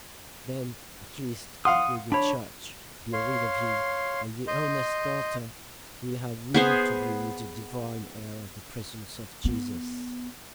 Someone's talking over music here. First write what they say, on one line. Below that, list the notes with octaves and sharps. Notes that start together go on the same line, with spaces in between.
Then at least will the church be rid of you, and the honest doubter will have room to breathe the divine air of the presence of Jesus.
F5 F#5 C6 D#6
D4 C#5 B5
C#5 F5 C6
D#5 C6 G6
B3 G#4 C5
B3